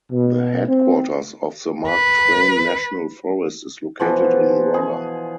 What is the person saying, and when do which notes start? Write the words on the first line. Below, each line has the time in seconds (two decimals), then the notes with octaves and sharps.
The headquarters of the Mark Twain National Forest is located in Rolla.
0.12 B2
0.68 C4
1.87 B4
4.00 B2 E3 F3
4.74 G#4